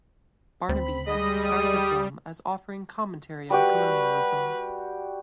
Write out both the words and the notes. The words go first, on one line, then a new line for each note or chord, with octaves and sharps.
Barnaby has described the film as offering commentary on colonialism.
D2 C4 B5
G3 G#3 D#5
D#6
G3 F#4 G4 B4